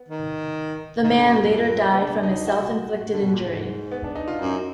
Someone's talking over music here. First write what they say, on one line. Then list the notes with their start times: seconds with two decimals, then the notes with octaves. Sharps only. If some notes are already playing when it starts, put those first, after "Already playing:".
The man later died from his self-inflicted injury.
Already playing: B3
0.09 D#3
1.04 D#3
1.16 D3
1.28 F#2
1.40 F2
1.52 A#3
1.76 B3
1.93 B3
1.99 D4
2.23 D#4
2.47 F#4
3.13 D3
3.22 B2
3.34 A#2
3.43 G#2
3.91 B3
4.04 D4
4.15 D#4
4.28 F4
4.39 F#2 D#4